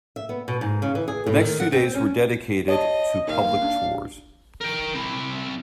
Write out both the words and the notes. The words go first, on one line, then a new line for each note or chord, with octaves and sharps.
The next two days were dedicated to public tours.
E5
B3
B2
G#2
C#3
E3
G#4
A2
D#3
F#5
C4
C#4
C#5 D#5 A5
D#2 F5
D4
A#4 G5
C4 E4